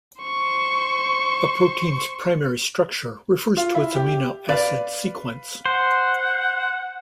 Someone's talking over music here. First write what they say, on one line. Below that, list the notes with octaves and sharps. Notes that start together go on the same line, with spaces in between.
A protein's primary structure refers to its amino acid sequence.
C5 C#6
F4
E4
G4
B4 D5 F5
C5 F#5